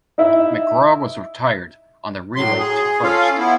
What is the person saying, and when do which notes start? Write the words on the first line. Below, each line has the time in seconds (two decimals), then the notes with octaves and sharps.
McGraw was retired on the relay to first.
0.18 D#4 E4 E5
2.36 A2 F#3 C6
2.58 G#4
3.02 C#4 F4 A4 F5
3.38 B3 E4